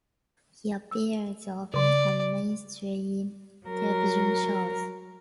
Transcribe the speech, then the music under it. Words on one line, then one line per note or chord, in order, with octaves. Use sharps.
He appears often on mainstream television shows.
E6
C#3 D5 C6
F#3 A#4